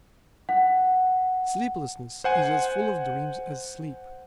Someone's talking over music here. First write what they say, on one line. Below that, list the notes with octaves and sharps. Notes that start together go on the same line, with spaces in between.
Sleeplessness is as full of dreams as sleep.
F#5
C5 F#5 G#5